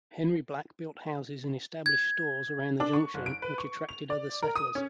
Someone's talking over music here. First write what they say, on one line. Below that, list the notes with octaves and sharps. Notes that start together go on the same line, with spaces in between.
Henry Black built houses and established stores around the junction, which attracted other settlers.
G#6
D4
C#6
F#1
D7
B4
C#6
F7
D5
A#4
D#6
C#4